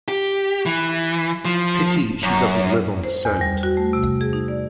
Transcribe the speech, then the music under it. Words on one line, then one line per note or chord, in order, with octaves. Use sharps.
Pity she doesn't live on the Sound.
G4
E3
F3
F#2
C5
E2
G3
F#4
A3
C3
G#4
D#4
D5